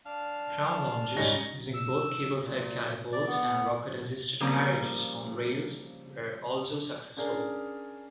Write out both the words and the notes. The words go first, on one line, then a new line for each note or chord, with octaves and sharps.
Ground launches, using both cable-type catapults and rocket-assisted carriages on rails were also successful.
D4 F5
G#2 G3 C#4 D#4 A#6
E6
A#2
D5
B3
C#3 F3 G3 A#3 C4
C#4 D4 G#4 A#4